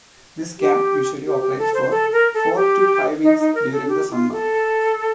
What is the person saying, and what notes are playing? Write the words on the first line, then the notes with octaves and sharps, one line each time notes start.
This camp usually operates for four to five weeks during the summer.
G4
G4
G4
A4
C5
A4
A#4
A4
G4
D#4
D#4
A#4
A4
G4
F4
A4